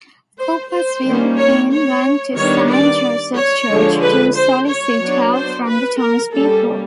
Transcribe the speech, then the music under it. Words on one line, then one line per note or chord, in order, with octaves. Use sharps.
Cooper's Will Kane went to Saint Joseph's Church to solicit help from the townspeople.
C5
C5
D#3 G3 A#3 C#4
C#5
C#5
D#3 G3 B3 D4 C#5
D5
C#5
D3 F3 G#3
B4
C5
C#5
F#3 B3 D4
C5
B4
A#4
G3 A#3 C#4 A4